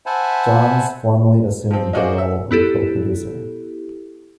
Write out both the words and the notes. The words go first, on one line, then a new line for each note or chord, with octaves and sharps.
Johns formally assumed the role of a co-producer.
C5 E5 F#5 G#5 A5 B5
F3 C4
D#4 F4 F#4 G#4 C5 D5
E5
B3 E4 G4 A4